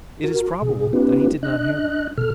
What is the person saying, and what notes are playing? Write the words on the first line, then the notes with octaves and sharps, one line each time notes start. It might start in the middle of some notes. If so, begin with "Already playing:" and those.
It is probable that he did not hear them.
F#4 A#4
B2 G#4
B3 C#4 D#4 F4 G4 B4
D4 D#5 F#6
B2 A4 F6